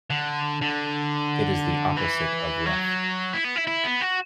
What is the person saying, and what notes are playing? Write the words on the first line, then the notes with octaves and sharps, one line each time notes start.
It is the opposite of rough.
D3
D3
E3
F#3
E4
B3
E4
E4
B3
F#4